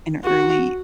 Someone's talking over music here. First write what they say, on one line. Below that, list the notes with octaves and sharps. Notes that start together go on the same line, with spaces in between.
in early
F#4